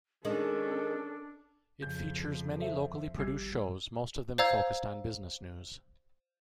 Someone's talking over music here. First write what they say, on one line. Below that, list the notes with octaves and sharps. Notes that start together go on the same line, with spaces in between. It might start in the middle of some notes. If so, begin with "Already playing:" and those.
It features many locally produced shows, most of them focused on business news.
D#3 G#3 C#4 D4 A4 A#4
F2 C#3 G6
A4 C5 E5
G#1 G3 E6 G#6 C7
C5 D5 F5 A#5 E6 G#6